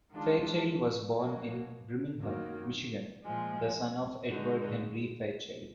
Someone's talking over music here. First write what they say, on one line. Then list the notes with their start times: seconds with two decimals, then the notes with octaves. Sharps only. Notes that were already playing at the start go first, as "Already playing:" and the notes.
Fairchild was born in Birmingham, Michigan, the son of Edward Henry Fairchild.
0.12 D#3 G#3 D4 F4
1.17 B2 F#3 A#3
2.20 F#2 D#3 F#3 A#3
3.24 A#2 F3 G#3
4.28 D3 G#3 D#4 F#4